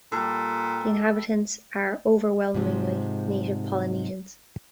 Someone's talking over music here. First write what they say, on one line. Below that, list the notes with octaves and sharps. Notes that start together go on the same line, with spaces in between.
The inhabitants are overwhelmingly native Polynesians.
A#2 G3 A4
G#2 C3 F3 G3 G#3